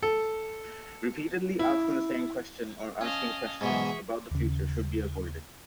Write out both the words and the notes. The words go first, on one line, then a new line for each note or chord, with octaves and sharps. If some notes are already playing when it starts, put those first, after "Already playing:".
Repeatedly asking the same question or asking questions about the future should be avoided.
A4
E4
C#4 D#5 F5 A5
G#2 B2 E3 G#4 E5 C#6
D#2 C#3